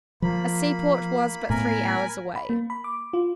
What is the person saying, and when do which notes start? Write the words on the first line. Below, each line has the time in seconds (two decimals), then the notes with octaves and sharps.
A seaport was but three hours away.
0.22 F3 A#3 B5
1.50 A2 B3 A#4 G#5 B5
2.36 B5
2.49 A#3
2.70 B5
2.84 D6
3.13 F4